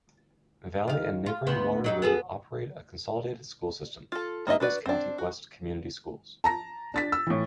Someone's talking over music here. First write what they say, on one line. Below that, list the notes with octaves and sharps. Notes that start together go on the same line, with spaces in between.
Valley and neighboring Waterloo operate a consolidated school system, Douglas County West Community Schools.
D#3 F5
F4
D2 B3 C5
F#3 D#4 G4
B3 G#4 A4
F4 A4
A#3 D#4 C#5 D#5 E5
D4 F#4 B4 D5
C4 D4
F#4
A5 A#5 A#6
D4 A6 B6
E6
A2 E3